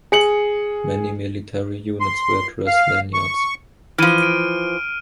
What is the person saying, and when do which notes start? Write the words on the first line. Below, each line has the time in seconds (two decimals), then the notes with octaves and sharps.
Many military units wear dress lanyards.
0.12 G#4 C#7 F#7
2.01 C6
2.67 F5
3.14 C#6
3.98 E3 F3 F6 D#7
4.23 D7